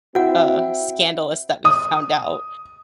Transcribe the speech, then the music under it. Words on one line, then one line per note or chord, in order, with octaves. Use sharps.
uh, scandalous that we found out.
C4 E4 F#4 E5 F#5 G5
D#6